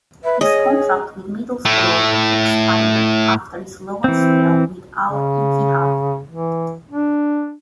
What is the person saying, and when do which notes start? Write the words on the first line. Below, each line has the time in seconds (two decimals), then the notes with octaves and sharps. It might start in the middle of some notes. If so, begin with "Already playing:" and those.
His contract with Middlesbrough expired after his loan spell with Al-Ittihad.
0.24 B4 E5
0.41 G#4 C#5 D#5
1.65 A2 A3
4.04 E3 C4
5.09 C#3
6.31 E3
6.90 D4